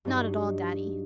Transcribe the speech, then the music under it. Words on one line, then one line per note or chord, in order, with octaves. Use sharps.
"Not at all, Daddy."
G2 F#3 D4 D#4